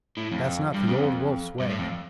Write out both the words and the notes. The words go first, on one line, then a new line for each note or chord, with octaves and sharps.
That's not the Old Wolf's way.
A2
F2
G2
F2
G2
A2
F2